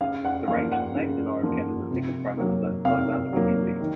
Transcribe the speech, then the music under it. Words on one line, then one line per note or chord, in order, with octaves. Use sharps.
The range is named in honour of Canada's second prime minister, Alexander Mackenzie.
C#3 F5
F#5
F3 A#3 F5
F#5
C#3
F3 A#3
C3
F#3 A#3
C3 F5
F#3 A#3
D#3